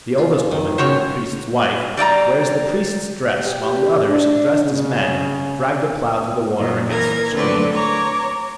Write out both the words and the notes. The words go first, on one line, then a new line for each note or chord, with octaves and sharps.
The oldest woman, or the priest's wife, wears the priest's dress, while the others, dressed as men, drag the plough through the water against the stream.
F4
D#3
C#3 F#4 C5 C#5 F6
G3 D5 D#5 A#5
G4
D4
C#3
A#2 D#3 F3
E3 A#4 A#5 G#6
D3 F#3 A3 C4 B4 D5
C#5 A#5 D6